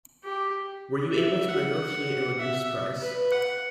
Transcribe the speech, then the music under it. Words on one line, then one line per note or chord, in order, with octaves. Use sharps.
Were you able to negotiate a reduced price?
G4
E5
F#5
E5
B4
F#5